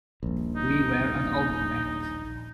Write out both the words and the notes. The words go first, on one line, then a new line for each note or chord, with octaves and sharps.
We were an album band.
D#1 A#1
D#4